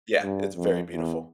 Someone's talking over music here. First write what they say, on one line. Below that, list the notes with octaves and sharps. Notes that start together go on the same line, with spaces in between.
Yeah, it's very beautiful.
G2
F2
E2